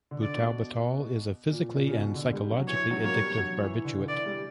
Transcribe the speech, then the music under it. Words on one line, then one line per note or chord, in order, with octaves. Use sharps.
Butalbital is a physically and psychologically addictive barbiturate.
D3
D5
B2
A#2
A#2
C#3
B2
D3
G3
F#3
E3 C#5
F#3
A#3 C#5
G3
F#3
E3
D3
D3
E3 D5
G3